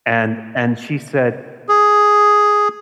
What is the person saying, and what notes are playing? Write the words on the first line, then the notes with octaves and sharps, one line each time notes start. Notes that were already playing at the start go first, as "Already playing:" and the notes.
And and she said
G#4